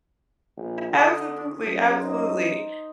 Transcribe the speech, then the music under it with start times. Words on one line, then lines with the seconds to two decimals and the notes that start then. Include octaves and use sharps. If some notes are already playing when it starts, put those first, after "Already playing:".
Absolutely. Absolutely.
0.57 A#1
0.93 D3 D#6
1.67 F#2
2.00 D#4 C5